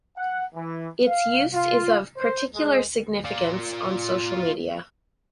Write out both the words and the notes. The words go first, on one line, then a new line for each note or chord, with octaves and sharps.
Its use is of particular significance on social media.
F#5
E3
F5
F4
C5
G#3
F4 D5